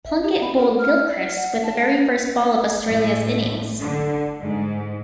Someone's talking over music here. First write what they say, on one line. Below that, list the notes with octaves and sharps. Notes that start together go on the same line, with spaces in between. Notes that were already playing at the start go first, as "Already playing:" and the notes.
Plunkett bowled Gilchrist with the very first ball of Australia's innings.
E5
G4
B5
A#4
F6
D5
F#5
A5
A2
D3
G#2